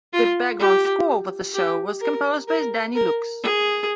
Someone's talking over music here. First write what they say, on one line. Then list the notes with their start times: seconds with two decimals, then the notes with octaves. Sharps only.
The background score for the show was composed by Danny Lux.
0.13 F4
0.59 G4
1.54 G4
2.01 A#4
2.48 A#4
2.95 A#4
3.43 G#4